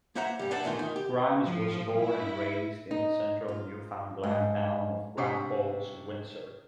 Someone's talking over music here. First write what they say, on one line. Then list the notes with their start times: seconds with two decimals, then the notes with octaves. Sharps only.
Grimes was born and raised in the central Newfoundland town of Grand Falls-Windsor.
0.15 A#3 C5 E5 F#5 A#5
0.39 G2 G3
0.51 B4 C5 D5 E5 F#5 A5
0.64 E2 A2 D#3 F4
0.79 D#3
0.96 G4
1.44 F3
2.00 E4
2.91 D#4
3.48 F4
4.24 G#2
5.17 C3 D4 G5 C#6 B6 C7